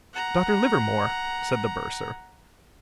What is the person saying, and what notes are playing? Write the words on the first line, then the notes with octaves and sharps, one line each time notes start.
"Dr. Livermore?" said the bursar.
F#5 A#5